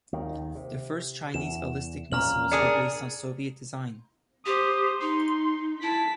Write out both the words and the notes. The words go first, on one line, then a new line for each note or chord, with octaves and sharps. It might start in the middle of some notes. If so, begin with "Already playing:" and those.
The first Chinese ballistic missiles were based on Soviet design.
D#2 D#3
C3
E2 E7
E2 A#2 C#4 A#5 F6 F#7
D4 G#4 A#4 C#7
G4 C5 D#6
D#4 C6
E4 A5 B6